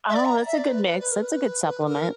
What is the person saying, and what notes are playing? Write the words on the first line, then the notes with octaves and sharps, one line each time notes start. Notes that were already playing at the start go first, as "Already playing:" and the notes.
Oh, that's a good mix. That's a good supplement.
E5
D5
A#5
E5
D5
B4
B4
B4
A#4
B4
A#4